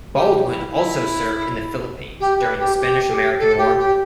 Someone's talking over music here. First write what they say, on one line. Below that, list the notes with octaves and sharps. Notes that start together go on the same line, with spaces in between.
Baldwin also served in the Philippines during the Spanish-American War.
G4
G4
E4
E4
G4
B4
G4
G4
A4
G4
A4
G4
G4